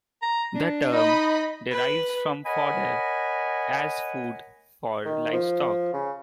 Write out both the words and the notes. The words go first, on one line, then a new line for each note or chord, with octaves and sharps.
The term derives from fodder, as food for livestock.
A#5
D4
D#4 D#5 B5
B4
A#4 C#5 D#5 F#5 G#5 B5
D#3
F3
C#3